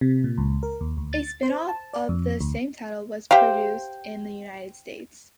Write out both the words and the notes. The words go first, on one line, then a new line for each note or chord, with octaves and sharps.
A spinoff of the same title was produced in the United States.
C3
A#2
C#2
A#4
D#2
D2
A6
C5
A5
D5
F2
D2
G4 C5 E5 F5 G5